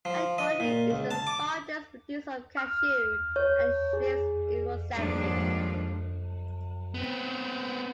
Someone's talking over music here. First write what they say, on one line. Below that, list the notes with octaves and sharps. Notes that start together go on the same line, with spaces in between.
Angoche is the largest producer of cashew and shrimps in Mozambique.
F3
D#5
A#2
C#2
A5
D6
F6
C#5
G#4
D#2 G#2 F3 G3 D4
B3 C4